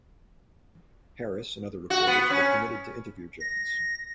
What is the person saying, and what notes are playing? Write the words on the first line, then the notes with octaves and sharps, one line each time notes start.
Harris and other reporters were permitted to interview Jones.
F#4
B3
C#4
A#6